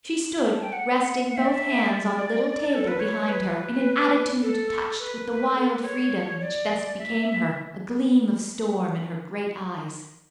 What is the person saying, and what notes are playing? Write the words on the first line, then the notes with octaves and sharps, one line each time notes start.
She stood resting both hands on a little table behind her, in an attitude touched with the wild freedom which best became her, a gleam of storm in her great eyes.
A5
G5
F#5
F#5
E5
D5
E5
D5
A4
B4
C#5
B4
A4
B4
A4
B4
C#5
D5
E5